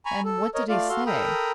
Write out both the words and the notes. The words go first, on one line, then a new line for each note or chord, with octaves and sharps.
"And what did he say?"
G#5 A#5 B5 C#6
A4
A#4 C#5 D#5
A3 F4 D5 F5
F#4 A4 F5 C6
A4 A#4 G5 A#5 B5 D#6